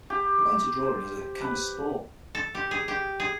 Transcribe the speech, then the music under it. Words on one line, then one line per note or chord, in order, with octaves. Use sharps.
I got into drawing as a kind of sport.
G4
C5
B4
A4
G4
G#4
G4
G#4